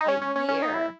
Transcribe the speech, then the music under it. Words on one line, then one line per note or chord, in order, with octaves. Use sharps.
A year.
D#4
C#4
C#4
C#4
C#4
D#4
E4